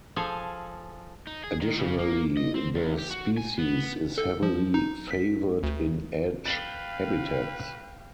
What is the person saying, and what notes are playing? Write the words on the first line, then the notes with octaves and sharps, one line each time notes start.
Additionally the species is heavily favored in edge habitats.
F3 G#4 A4 F5
D#4
G#4
D#3
C#3
A#3
D#5
C4
E2
G4
F#4
G#5
B3
A4
F3
D#4
B6
D2
B4 F5 G5 A6 F#7 G7